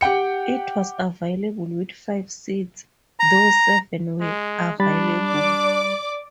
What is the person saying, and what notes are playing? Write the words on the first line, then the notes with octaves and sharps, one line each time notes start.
It was available with five seats, though seven were available.
G4 F#5 G5 C#7
A#5
G#3
G3 D4 B5 A6
D5 D6